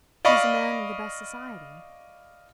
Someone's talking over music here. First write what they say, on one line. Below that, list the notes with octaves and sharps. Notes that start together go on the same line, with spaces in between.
He's a man of the best society.
D5 D#5 F5 B5 C#6